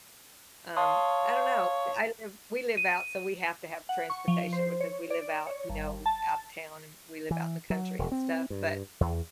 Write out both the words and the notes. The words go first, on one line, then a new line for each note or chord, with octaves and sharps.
um, I don't know, I live we live out so we have to have transportation because we live out, you know, out of town, and we live out in the country and stuff, but,
C#5 F5 A5 C6 D#6
D#7
F#5
C#6
F3
C5
C#5
D5
C#5
G1
A5
E3
F#3
E1
C4
G2
E2